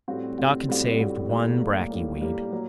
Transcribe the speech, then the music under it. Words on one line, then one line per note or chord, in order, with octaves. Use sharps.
Doc had saved one bracky weed.
A2 G3 C4 F#4
A2 G3 C4 F#4
A2 G3 C4 F#4
A2 G3 C4 F#4
A2 G3 A#3
A2 G3 A#3
A2 G3 A#3
A2 G3 A#3
F#3 A#3